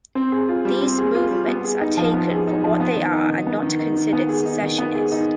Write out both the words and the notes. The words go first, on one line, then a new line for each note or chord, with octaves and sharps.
These "movements" are taken for what they are and not considered secessionist.
C4
G#4
F4
G3
C4
G#4
F4
G3
B3
G#4
D#4
F3
B3
G#4
D#4
F3
B3
D#3
D#4
D#3
B3
D#3
D#4
D#3
B3
G#4
D#4
D#3
B3
G#4
D#4